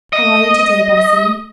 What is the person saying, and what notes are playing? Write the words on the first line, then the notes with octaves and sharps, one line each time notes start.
"How are you today, Bessie?"
D#5